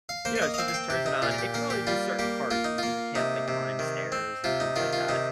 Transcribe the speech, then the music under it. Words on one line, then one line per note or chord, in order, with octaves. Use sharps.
you know, she just turns it on. It can only do certain parts because it can't, like, climb stairs and things like that,
F5
A#3 C5
C5
D#5
D#5
C4 F5
F5
G5
C3 G4
D#4
A#2 F4
A#4
G4
A#3 A#4
G4
G3 F4
A#3 G4
A#3 F4
D#4
A#3 F4
C3 D#4
C3
D#3
C4
C3 F4
D#4
D#3 F4
F4
C3 D#4